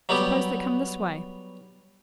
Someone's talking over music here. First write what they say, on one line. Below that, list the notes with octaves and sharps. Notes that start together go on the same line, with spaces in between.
Suppose they come this way.'
F#3 G3 B3 G4